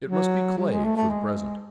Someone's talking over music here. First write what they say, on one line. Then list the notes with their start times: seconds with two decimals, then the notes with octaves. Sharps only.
It must be clay for the present.
0.07 F#3
0.58 G3
0.72 G#3
0.85 A3
0.96 A3
1.10 G#3